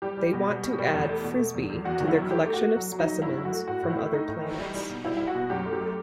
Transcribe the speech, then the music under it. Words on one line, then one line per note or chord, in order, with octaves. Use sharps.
They want to add Frisby to their collection of specimens from other planets.
G3 G4
G3
B2
G3
B2
G3
E2
A3
B2
A3
E2
E2
E2 F#4
D#3
E4
F#3
A3 G4
A3
F#4
A3
F#3
F#3
D#4
F#3
G2 E4
F#3
F#4
A3
A2 F#4
A2
E4
A3
A3 D#4
A2
E3
G3
G3
B2
G3 E4
G3 E4
F#4
B2
F#2 G4
A3
G4
A3